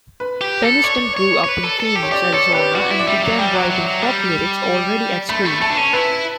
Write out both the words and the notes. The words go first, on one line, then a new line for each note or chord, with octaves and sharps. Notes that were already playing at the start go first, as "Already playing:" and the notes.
Peniston grew up in Phoenix, Arizona and began writing pop lyrics already at school.
B4
G4
A4
C#5 D5
C#5
C#5
B4
A4
A4
G4
C#5
G4 D5
A4 C#5
G4 B4
F#4 D5
E4
D5
G3 E5
F#3
G3 G5
F#3
F#3
F#3
G3
A3 B5
G3
A3
A3 A5
D4
C#4
E4 B4